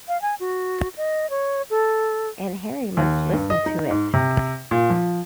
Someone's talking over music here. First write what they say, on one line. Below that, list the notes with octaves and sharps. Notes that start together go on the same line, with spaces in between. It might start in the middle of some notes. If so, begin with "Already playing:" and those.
And Harry must listen to it.
F5
G#5
F#4
D#5
C#5
A4
D#2
G2
D#5
D#4
G#2
C3
A#2
F3